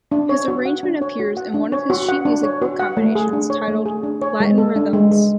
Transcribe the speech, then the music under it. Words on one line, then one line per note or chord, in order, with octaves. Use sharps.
His arrangement appears in one of his sheet-music book combinations, titled "Latin Rhythms".
D4
C#5
F#4
F#5
D4
C#5
F#4
F#5
D4
C#5
F#4
F#5
D4
C#5
F#4
F#5
A3
G#4
D4
C#5
A3
G#4
D4
C#5
G#3
A4
D4
G#3
G#3